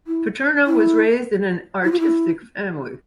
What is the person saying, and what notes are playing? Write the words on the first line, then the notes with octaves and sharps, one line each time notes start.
Paterno was raised in an artistic family.
E4
E4
E4
F4
E4